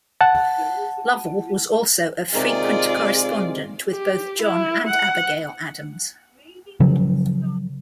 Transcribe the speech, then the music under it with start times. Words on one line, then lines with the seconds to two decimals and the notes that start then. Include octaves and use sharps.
Lovell was also a frequent correspondent with both John and Abigail Adams.
0.21 F#5 A5
2.32 C3 D#3 G#3 F4 G#4 D5
3.91 G4
4.42 E4
4.88 F#5
6.80 C#3 F3 F#3